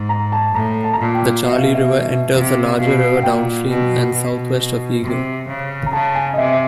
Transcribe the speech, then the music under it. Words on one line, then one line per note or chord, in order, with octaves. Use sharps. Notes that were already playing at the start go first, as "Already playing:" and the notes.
The Charley River enters the larger river downstream and southwest of Eagle.
Already playing: G#2
A#5
A5
A2 A#5
A5
A#5
A#2 A5
G5
B2 F5
E5
F5
E5
D#5
E5
C3 F5
B2 F5
F#5
A#2 G5
B2
B2
C3
C#3
A#5
C#3 A5
G#5
D#5
C3 E5